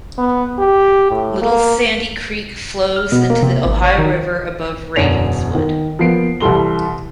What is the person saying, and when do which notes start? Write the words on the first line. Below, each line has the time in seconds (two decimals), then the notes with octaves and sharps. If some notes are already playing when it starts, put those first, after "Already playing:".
Little Sandy Creek flows into the Ohio River above Ravenswood.
0.18 B3
0.59 G4
1.11 A2
1.41 A#3
2.96 F6
3.12 B2
3.30 A#3
3.43 C3
3.65 G#1
3.84 C#5
3.98 D#3
4.96 E1 F#2 D3 C#5 D5 F7
5.55 D#3
5.99 F3 A#3 B3 C7 D7
6.40 C2 E3 G3 A4 C6 G7